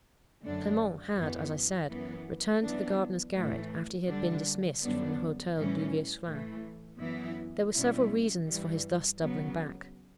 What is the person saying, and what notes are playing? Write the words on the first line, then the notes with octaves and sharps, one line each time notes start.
Clement had, as I said, returned to the gardener's garret after he had been dismissed from the Hotel Duguesclin. There were several reasons for his thus doubling back.
F#2 D3 A3 D4
F#2 E3 B3
F#2 E3 B3
F#2 E3 B3 D4
A2 E3 A3
D3 G3 D4
F#2 D3 G3 B3 D4
A2 E3 G3 C#4
A2 E3 A3
F#2 E3 B3 E4
B2 G3 C#4 E4
G2 E3 G3
C#3 F#3 B3